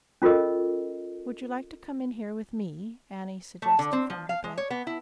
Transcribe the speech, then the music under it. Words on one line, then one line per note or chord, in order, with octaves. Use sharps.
"Would you like to come in here with me?" Annie suggested from her bed.
C#4 F4 A4 A#4 D#5
A3
D3
C4
F3
F5
G#3
C#5
B3
E4